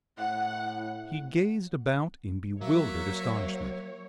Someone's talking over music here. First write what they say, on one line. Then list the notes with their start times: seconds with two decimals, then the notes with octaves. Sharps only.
He gazed about in bewildered astonishment.
0.18 A2 F#5
2.61 F#3 A#3 C#5 E5